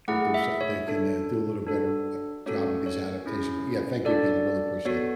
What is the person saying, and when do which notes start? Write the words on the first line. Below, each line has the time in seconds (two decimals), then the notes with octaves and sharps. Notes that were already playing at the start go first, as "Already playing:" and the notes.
if there's, uh they can, uh, do a little better, uh, job of these adaptation but yeah, thank you again, I really appreciate it.
0.08 A3 E4 G#4 F#5
0.34 E5
0.61 C#5
0.88 D4 A4
1.67 D4 F#4 A4
2.46 A3 C#4 F#4 A4 C#5
2.86 C#5
3.26 C#4 E4 G#4
4.05 D4 F#4 A4 D5
4.85 B3 F#4 A4 C#5